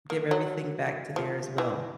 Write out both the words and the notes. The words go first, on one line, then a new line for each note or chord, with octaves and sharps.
give everything back to there as well.
A#3
F#3
F3
E3